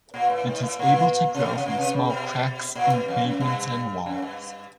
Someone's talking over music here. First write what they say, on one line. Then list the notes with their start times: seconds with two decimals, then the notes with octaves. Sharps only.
It is able to grow from small cracks in pavements and walls.
0.14 A#2
0.30 A2
0.46 G#2
0.63 A2
0.79 A#2
1.34 C3
1.44 B2
1.55 C3
1.66 A#2
1.77 C3
1.93 C#3
2.10 B2
2.75 A#2
2.92 B2
3.08 F2
3.24 F#2
3.40 G2
4.06 F#2
4.22 G2